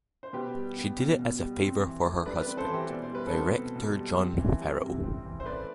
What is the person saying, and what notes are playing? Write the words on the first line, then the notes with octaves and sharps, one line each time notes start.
She did it as a favor for her husband, director John Farrow.
C5
B2 G4 B4
G3
B3
B2
B2
G3
C4
E3
A3
G2 B4 D5
C4 B4 D5
A4 C5
E3
G4 B4
B2 D5
C5
G3 B4
A4 C5
C4
B2
B2
G3
C4
E3
G3
C3
C4
E3
C5
A3 B4 D5